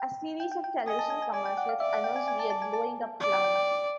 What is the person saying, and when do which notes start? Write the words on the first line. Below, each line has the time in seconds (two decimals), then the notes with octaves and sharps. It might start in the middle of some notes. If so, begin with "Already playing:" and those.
A series of television commercials announced We're blowing up clowns!
Already playing: G5
0.40 G5
0.52 G5
0.64 G5
0.87 D#5 G#5
0.99 A5
1.10 G#5
1.22 G#5
1.34 D5 G#5
1.46 G5
1.57 F#5
1.69 F5
1.80 D5 E5
1.93 F#5
2.04 G5
2.16 G#5
2.28 G#5
2.39 A5
2.50 A5
2.62 G#5
2.73 A5
3.21 D5
3.33 G5
3.44 G5
3.55 G5